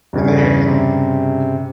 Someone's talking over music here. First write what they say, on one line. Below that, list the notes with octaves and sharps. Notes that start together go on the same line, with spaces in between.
And they, eh
E2 G2 C#3
C3